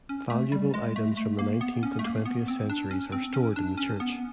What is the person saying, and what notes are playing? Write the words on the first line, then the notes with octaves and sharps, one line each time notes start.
Valuable items from the nineteenth and twentieth centuries are stored in the church.
C#4
A3
G3
G#3
A3
A3
A#3
B3
C#4
A3
A#3
B3
C4
D4
C#4
C4
C#4
D4
C#4
B3